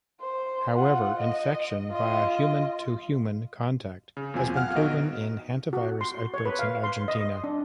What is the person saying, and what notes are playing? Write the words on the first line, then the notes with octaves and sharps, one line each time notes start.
However, infection via human-to-human contact has been proven in hantavirus outbreaks in Argentina.
C5
F4 F#5
D#5
F4 D#5
C#3
E2 A#2 F#3 C4 F4 G#5
F5 F#5 F6 G#6
A#1 B3 D#4 F#4 D#5 D7
F#4
C6
C#5
B4
F5
C6
D#5
D4